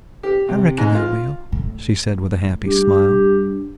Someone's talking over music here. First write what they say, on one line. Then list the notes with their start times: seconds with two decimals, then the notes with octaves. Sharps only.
"I reckon I will," she said with a happy smile.
0.23 G4
0.49 C3
0.78 G#2
0.95 F4
1.52 A2
2.65 G2 G4